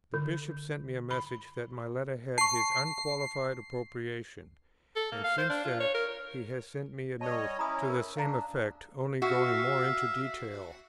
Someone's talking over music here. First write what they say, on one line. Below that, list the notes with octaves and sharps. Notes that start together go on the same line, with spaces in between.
The Bishop sent me a message that my Letter had his unqualified approbation; and since that, he has sent me a note to the same effect, only going more into detail.
D3
B5
A5 C#6 C7
A4
A#3
F5
C5
D4
F4
C#5
A#4
G3 C#5 D#5 A5
C#4 E4 A#5 B5 D#6
A#4
D4 F5 A#5
F#4 E5 F5